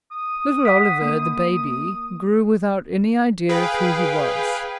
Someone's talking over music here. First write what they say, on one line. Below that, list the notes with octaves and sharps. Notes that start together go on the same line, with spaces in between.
Little Oliver, the baby, grew without any idea of who he was.
D#6
F#5 B6
A#3
G#4 B4 F5 G5